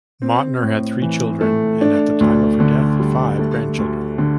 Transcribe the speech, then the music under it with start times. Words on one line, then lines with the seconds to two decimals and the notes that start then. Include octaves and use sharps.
Mautner had three children and at the time of her death five grandchildren.
0.22 C4
0.62 A2
1.02 E3
1.41 A3
1.81 D4
2.20 D2
2.60 D3
3.00 G3
3.39 A3
3.79 D2
4.18 D3